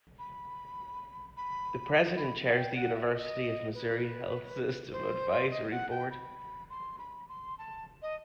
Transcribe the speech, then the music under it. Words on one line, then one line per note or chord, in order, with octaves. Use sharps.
The president chairs the University of Missouri Health System advisory board.
B5
B5
B5
F#5
G5
F#5
E5
C5
D#5
B4
C5
D#5
F#5
G5
B5
C6
B5
C6
A5
D#5